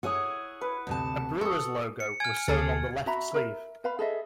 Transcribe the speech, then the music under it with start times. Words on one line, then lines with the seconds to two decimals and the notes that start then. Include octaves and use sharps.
A Brewers logo was sewn on the left sleeve.
0.03 E4 G#4 C#5 F#5 D#6
0.61 B4
0.87 D2 C3 A5
1.41 A4 C#6 D#6
2.00 C#7
2.20 G#5 F6 G#6
2.48 D2 A#3 G#4 A4 A6
3.06 F#4 E5 A#5 B5
3.34 A#4 E5
3.84 B4 F5 B5
3.99 G#4 A4 D#5 E5